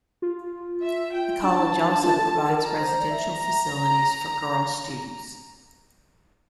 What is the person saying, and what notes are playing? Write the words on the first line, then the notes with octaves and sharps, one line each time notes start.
The college also provides residential facilities for girl students.
F4
E5
G5
D4 A5
E4
E4
D4
F4
A4
A4
A#4
A#5
C5
D5
E5